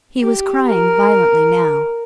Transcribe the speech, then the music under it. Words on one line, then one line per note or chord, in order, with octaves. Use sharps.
He was crying violently now.
G4
A#4